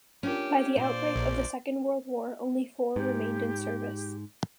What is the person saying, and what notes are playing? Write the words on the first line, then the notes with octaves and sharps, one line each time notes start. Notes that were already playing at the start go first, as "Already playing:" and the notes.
By the outbreak of the Second World War, only four remained in service.
C#4 D4 F4 G4 A#4
A#2 C5 D5
A#1
G#2 G4